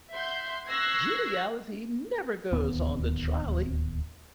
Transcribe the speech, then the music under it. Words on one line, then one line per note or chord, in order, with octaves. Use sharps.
Geniality never goes on the trolley.
E5 F#5 C6 G6
C#6 E6 F#6 G#6 A#6 C7
D1 D#2 B3